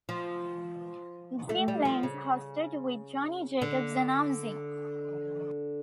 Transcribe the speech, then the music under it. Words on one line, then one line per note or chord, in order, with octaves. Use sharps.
Jim Lange hosted, with Johnny Jacobs announcing.
F3
A3
G3
F3
C#3
D3